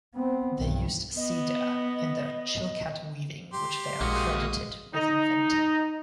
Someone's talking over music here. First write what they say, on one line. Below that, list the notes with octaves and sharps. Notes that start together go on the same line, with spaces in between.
They used cedar in their Chilkat weaving, which they are credited with inventing.
B3 C4
B1 G2
B3 D#5
G4 C6
A#1 G#3 A#3 F#4 D#6
D#4